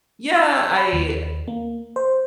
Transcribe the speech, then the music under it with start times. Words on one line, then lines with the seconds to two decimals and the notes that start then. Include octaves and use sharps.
Yeah, I
0.36 E6
0.77 B5
0.93 D#2
1.48 A#3
1.96 C5